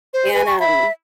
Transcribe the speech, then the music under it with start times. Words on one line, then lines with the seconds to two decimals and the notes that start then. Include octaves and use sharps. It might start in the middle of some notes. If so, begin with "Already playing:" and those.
and, um
0.14 C5
0.34 B4 G#5
0.47 C#6
0.60 E5 B5